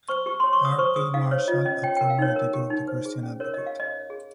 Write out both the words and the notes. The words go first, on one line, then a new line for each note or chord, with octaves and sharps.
R. P. Marshall, a former editor of the Christian Advocate.
C5 C#6
G4 C#6
C#5 C6
C#6
C#5 D#6
C5 C#6
G#4 D#6
D#4 F5
C5 C#5
F4 D#5
C#4 D#5
C#5 G5
A#4 G5
F5
D#4 C#5
A#4
G4
D#4
C5
G#4
C#4
A#4 C#5
G4 D#5
F5
C#5 D#5
C#5
G#4